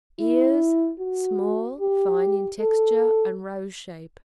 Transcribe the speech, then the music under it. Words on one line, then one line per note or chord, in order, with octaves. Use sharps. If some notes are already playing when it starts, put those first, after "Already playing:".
EARS--Small, fine in texture and rose shape.
E4
F#4
G4
A4